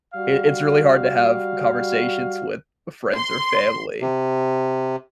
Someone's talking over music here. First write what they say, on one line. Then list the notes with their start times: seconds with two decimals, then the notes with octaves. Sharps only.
it it's really hard to have conversations with friends or family
0.14 G3 F#4 F5
3.16 C6
4.01 C3